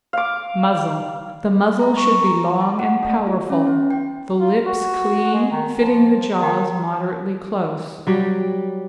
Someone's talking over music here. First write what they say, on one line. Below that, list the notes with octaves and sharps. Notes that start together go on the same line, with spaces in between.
MUZZLE--The muzzle should be long and powerful; the lips clean, fitting the jaws moderately close.
F5 D6
A#5
C#6
A#5
A5
F#5
A3
F4
C#4
B3
G5
F4
F#4
G#3
D#3
F3
D#3
F#3 G3 G4